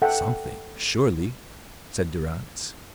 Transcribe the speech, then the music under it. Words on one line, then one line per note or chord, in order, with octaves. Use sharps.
"Something, surely," said Durrance.
A4 E5 F#5 G5